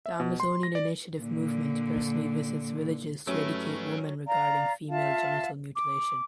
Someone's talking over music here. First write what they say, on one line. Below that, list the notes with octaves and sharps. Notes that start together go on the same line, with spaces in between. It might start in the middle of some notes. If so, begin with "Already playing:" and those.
The Amazonian Initiative Movement personally visits villages to educate women regarding female genital mutilation.
E5
B2
C6
A#6
D5
A#2 D3
F#3 A3 C#4 G4 B4
D5 F5 A#5
F4 E5 F5 A5
D6